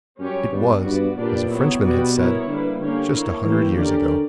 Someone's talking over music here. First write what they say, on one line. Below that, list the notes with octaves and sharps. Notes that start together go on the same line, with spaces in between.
It was, as a Frenchman had said, just a hundred years ago.
F#2 G3 C#4 G4 C#5
G2 G3 B3 D4
G2 B3 F#4 B4 D5
A#2 A#3 D4 G4 B4 D5
F#3 B3 E4 G4 C#5
B2 G3 B3 F#4 B4 D5
B3 E4 A#4 C#5
D3 G3 A#3 E4 B4
D3 A#3 C#4 G4 C#5
A#3 E4 A#4 C#5
E3 A#3 C#4 E4 G4
D3 C#4 G4 A#4 D5